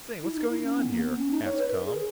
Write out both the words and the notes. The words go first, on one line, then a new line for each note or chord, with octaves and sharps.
"Say--what's going on here?" asked Tom.
E4
D#4
E4
C#4
B3
A#3
B3
C#4
D#4
C#5
B4
A#4
G#4